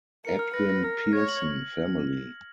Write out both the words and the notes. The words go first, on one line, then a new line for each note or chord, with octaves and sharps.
Edwin Pearson family.
A#4 C#7
F6
B4 A#6
A#6
A#4 F6
F6
C#5 G#6
F#7